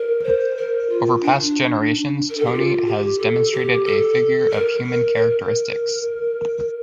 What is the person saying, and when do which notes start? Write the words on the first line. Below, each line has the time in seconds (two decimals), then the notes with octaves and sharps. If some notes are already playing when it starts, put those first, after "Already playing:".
Over past generations Tony has demonstrated a figure of human characteristics.
Already playing: A#4
0.23 C5
0.56 A#4
0.89 F4
1.22 D4
2.29 A#4
2.36 A4
2.45 G4
2.53 F4
2.86 G4
3.19 A4
3.51 G4
3.84 A4
4.50 A#4
5.15 A#4